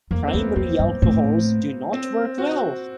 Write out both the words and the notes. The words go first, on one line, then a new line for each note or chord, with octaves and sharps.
Primary alcohols do not work well.
F2 A#3
C4
E2 B3
F2 C4
G2
A2 C4
C4
F#4